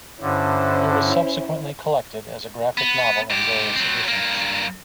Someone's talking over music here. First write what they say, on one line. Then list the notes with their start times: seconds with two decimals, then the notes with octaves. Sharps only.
It was subsequently collected as a graphic novel in various editions.
0.21 G2 D3 C#4 E4 C5
2.78 B3
3.30 G#2 G4
3.76 F#3 C4
4.08 G2 A#3